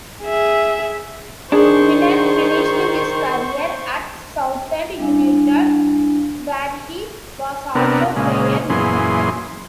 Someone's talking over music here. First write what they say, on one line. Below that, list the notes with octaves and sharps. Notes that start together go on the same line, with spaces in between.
Whelan finished his career at Southend United, where he was also player-manager.
G#4 E5
D#3 D4 G#4 C5 C#6
G3 D4 E4 F5 G#5
C3 B3 D4 A#4
A#2 C#3 G#3
F#2 A#2 E3 G#4 C6